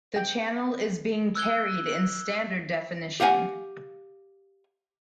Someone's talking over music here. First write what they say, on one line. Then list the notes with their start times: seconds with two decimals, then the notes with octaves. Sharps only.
The channel is being carried in standard definition.
0.16 G5
1.35 E6 F#6 G#6 G7
3.20 G4 F5 F#5 G#5